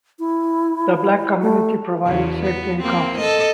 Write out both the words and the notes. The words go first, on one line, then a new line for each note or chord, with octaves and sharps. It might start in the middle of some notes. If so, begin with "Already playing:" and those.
The Black community provided safety and comfort.
E4
A3
E2 C#3
B3
A#3 C4
A4 D#5